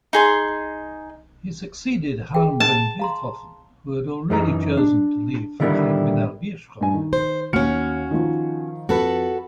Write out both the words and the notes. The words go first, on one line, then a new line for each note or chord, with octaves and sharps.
He succeeded Harm Van Veldhoven, who had already chosen to leave for Germinal Beerschot.
D#4 G#4 C6
G#4 G5
A5
F5 A#5 C6
F#2 E3 D#4 A#5
D4
D3 D#3 G3 B3 E4 A#4
G2 G#5
D#3
C5
D#2 C#4 F#4 F6 C#7
D#3 F3
F2 F#4 A4 B4